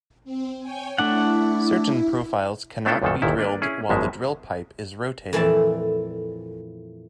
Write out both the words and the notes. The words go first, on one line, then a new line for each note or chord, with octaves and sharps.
Certain profiles cannot be drilled while the drill pipe is rotating.
C4
C#5 G5 G#5
A3 D4 E4 F#5
A3 B3 D4 E4 F4 A4
B1 F#2 A#2 D#3 F#3 A4
G1 D#2 A#2 D#3 E4
A#3 D4 B4 D5
C#4 E4 G#4
G#1 F#2 B2 F3 G#3 E5
F2 A#2 E3 A3 D5 A5